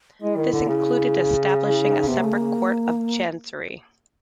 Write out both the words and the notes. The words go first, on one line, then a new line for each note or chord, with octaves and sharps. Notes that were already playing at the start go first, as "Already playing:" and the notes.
This included establishing a separate Court of Chancery.
G#3 E4
D#3
D3
C#3
E4
D#4
C3 B3
A#3
C#3 A3
A#3
C#3